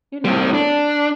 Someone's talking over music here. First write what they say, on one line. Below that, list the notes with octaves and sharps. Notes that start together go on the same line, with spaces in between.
you know,
G3 C4
D4